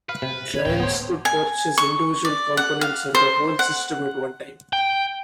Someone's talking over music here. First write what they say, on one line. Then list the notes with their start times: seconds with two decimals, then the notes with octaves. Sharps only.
Clients could purchase individual components or the whole system at one time.
0.09 B4 F5
0.22 C3
0.54 C#4 C#5
0.66 D1 A3 G5
0.80 B3 C5
1.25 G#5
1.78 C#6
2.25 D5
2.57 F#5
2.81 F5
3.15 C5
3.59 F#5
4.73 G5